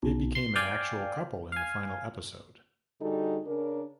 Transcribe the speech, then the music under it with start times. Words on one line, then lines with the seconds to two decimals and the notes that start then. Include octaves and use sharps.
They became an actual couple in the final episode.
0.03 B1
0.35 C6
0.56 D5 F5 G5 G#5
1.52 F5 G#5
3.00 D3 G3 D#4 F#4 G#4 A4
3.45 C#3 C#4 D4 A#4